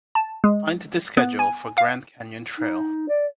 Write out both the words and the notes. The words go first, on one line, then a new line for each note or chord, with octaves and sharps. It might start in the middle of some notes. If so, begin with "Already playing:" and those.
Find the schedule for Grand Canyon Trail.
A5
G#3
B3
G#5
F5
D#4
D5